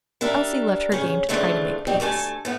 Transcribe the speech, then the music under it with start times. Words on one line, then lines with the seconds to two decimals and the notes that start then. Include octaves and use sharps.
Elsie left her game to try to make peace.
0.21 G3 D4 A#4 E5
0.92 C#3 C#4
1.29 C#3 E3 F3 A3 C4 D4
1.87 B2 G3 C4 G4
2.00 D2 A3 A4 G#5
2.45 A2 B3